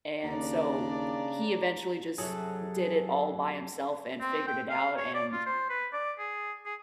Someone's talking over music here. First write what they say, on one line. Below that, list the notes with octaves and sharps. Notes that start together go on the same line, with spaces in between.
And so he eventually just did it all by himself and figured it out and
D#2 C#3 D4 D5 A#5
F#2 C3 F#3 G#4 A4
C4
G5
F5
C#5
D5
F4
C5
B4
D5
G#4
G#4